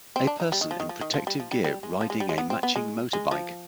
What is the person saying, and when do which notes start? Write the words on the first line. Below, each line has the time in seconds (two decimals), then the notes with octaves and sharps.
A person in protective gear riding a matching motorbike.
0.16 C4
0.27 D4
0.40 D#4
0.52 G3
0.61 D#3
0.71 F3
0.80 D#3
0.89 F3
1.01 D#3
1.14 F3
1.27 G3
1.40 F3
1.51 G3
1.64 G3
1.83 G#3
2.01 F3
2.10 G#3
2.20 G3
2.29 G#3
2.38 B3
2.50 C4
2.63 B3
2.76 G#3
3.13 G#3
3.31 F3